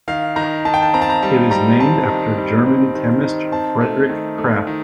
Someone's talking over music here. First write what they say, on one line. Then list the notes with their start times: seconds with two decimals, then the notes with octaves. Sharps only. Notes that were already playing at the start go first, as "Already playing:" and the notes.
It is named after German chemist Friedrich Krafft.
0.08 D#3 F5
0.36 D#3 A#5
0.65 D#3 A5
0.74 G5
0.82 A5
0.94 C4 A#5
1.02 A5
1.10 A#5
1.22 G3 A5
1.51 G3 A#5
1.80 C4 A5
2.08 D#3
2.37 G3
2.66 C4
2.95 D#3
3.24 D#3
3.52 C4 A5
3.81 A3
4.09 D#3
4.38 A3
4.67 D#3